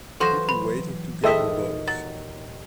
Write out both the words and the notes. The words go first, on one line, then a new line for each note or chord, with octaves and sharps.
People waiting to get on boats.
E3 F#3 F4 F#4 A4 C5 A#6 E7
B5
D#2 A#2 C4 G#4 A4 D#5 E5
F#3 A6